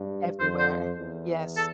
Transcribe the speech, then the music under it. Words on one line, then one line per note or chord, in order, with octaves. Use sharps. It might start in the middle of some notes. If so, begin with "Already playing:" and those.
Everywhere. Yes.
Already playing: G2
F2 C5
C5
E2
A4